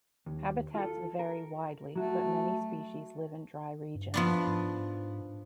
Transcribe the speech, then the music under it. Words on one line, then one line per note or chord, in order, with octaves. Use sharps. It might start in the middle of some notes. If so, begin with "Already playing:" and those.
Habitats vary widely, but many species live in dry regions.
D#2
F4 A4
A#4
F#3 A3 F#4
G2
F3 B3 D4
G#2